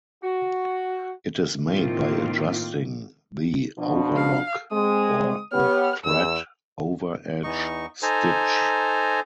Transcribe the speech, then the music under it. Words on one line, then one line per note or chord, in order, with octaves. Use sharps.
It is made by adjusting the overlock or the thread overedge stitch.
F#4
A2 D#3 A#3 C4 F4
B2 F3 D4
F5
G#3 C4 D#6
B3 G4 C#5 F6
E2 E6
E2 D#4 C#6
D#4 A4 C5 G#5 A#5